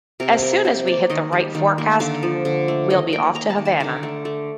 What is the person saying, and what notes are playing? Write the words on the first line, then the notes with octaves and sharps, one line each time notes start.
As soon as we hit the right forecast, we'll be off to Havana.
C3 A#4
G3 A#4
C3 C5
A#3 D5
D#3 D#5
G3
D#3
A#3
D3 F5
F3
D3
A3
D#3 D#5
A#3 G5
A#3 A#5
A5
D#3
A5
D3 A#4
A3
A3